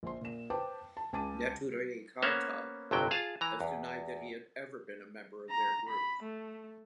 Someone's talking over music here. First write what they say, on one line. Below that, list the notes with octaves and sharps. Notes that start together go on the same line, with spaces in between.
Neturei Karta has denied that he had ever been a member of their group.
A#1 C5 C6
A#2 E7
B4 C5 G5 A5 D6
A5
C#2 G#5 A5 D6 A6 D#7
A#3 B3 C#4 C5 C#5 F#5
G1 F2 C3 F#3 G5
F4 G#4 F5 A5
E3 A#5
E2
A#5
B5
A3